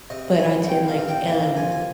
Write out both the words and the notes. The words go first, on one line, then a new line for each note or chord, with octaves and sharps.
But I tend like um,
C3 D#5
A#5
C2 G#5
C2 G5
F5
C3
G5
A#3 A#5
A#5
F3 G#5
G#5